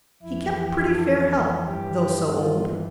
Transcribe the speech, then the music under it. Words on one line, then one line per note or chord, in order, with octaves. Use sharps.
He kept pretty fair health, though so old.
F2 E3 E4
G4
A4
G2 E3 G4
F4